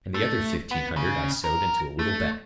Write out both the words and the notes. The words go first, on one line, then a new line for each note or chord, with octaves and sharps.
And the other fifteen hundred I sewed into a little bag.
A3
B3
C#3
A#4
A3